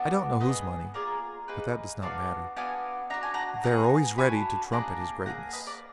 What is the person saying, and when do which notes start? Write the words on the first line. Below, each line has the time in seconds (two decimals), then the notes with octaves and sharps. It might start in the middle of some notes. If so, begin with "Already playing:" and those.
I don't know whose money--but that does not matter. They are always ready to trumpet his greatness.
Already playing: B3 D4 F#4
0.40 B3 D4 G#4 B4 D#5
0.94 A#3 F4 G#4 A#4 D5
1.48 A#3 D#4 G#4 B4
2.02 B3 D4 F#4 D5 F5
2.57 B3 D4 F#4 F5 G#5
3.10 D4 F#4 A#5
3.23 G#5
3.34 F#5 A#5
3.64 B3 D4 F#5 A#5
3.68 G#4
4.18 D4 F#4 G#5 B5
4.72 A#3 D4 G#4 F#5 A#5
5.26 A#3 D4 G#4 F#5 A#5
5.53 B4 D#5
5.67 A#4 D5